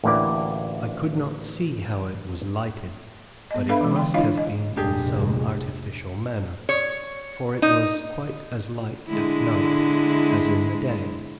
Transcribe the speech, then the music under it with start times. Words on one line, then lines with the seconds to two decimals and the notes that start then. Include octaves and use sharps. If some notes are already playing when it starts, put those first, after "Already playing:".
I could not see how it was lighted, but it must have been in some artificial manner, for it was quite as light at night, as in the day.
0.04 A1 D2 A#3 E4 D5
3.51 B3 D#5
3.69 D4 A4 B4 E5 F5 B5
3.81 E3 G#3
3.96 D3 G5
4.14 D4 E4 F4 C#5 D#5 F5
4.38 D#5
4.76 F1 A#1 G#3 D4 G4 G#4
6.69 C#5
7.62 D#4
9.08 D3 G#3 E4